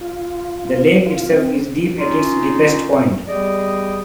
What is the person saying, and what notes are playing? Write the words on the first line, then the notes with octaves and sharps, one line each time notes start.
The lake itself is deep at its deepest point.
F4
F4
C4
C#4 D#4 F4
G3 B3 G4 G#4 D5 D#5